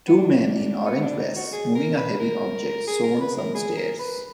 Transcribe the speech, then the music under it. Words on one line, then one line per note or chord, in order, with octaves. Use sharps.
Two men in orange vests moving a heavy object sown some stairs.
B3
D4
B3
D4
D#4
F#4
G#4
A#4
B4
A#4
G#4
A#4
B4
A#4
G#4
A#4
B4